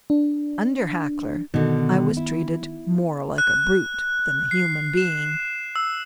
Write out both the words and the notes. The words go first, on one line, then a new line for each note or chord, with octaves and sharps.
Under Hackler I was treated more like a brute than a human being.
D4
B2 D3 D#3
E4
F#6
C7
E7
E6